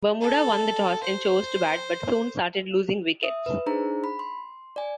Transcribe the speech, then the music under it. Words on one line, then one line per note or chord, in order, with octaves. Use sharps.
Bermuda won the toss and chose to bat, but soon started losing wickets.
A4
C5
E5 D#6
B4
D4 D#4 G#4 C5 A#5
B5
C6
D5 G#5